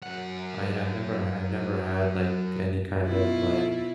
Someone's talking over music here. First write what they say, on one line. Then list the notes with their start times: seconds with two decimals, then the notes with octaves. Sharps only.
I I never I've never had, like, any kind of, like,
0.03 F#2 F#5
3.04 B2 E4 F4